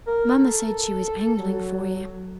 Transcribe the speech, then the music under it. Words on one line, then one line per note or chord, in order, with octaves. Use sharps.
Mamma said she was angling for you.
A#4
A4
F#3